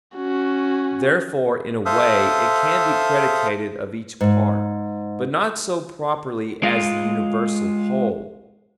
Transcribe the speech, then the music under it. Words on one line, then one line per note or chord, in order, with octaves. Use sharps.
Therefore in a way it can be predicated of each part, but not so properly as the universal whole.
C#4 F#4
A4 C5 E5 F5 D#6
G#2
G#3 F4